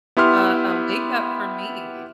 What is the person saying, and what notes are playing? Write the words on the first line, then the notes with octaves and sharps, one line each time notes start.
a a wake up for me.
B3 E4 G4 C6 F6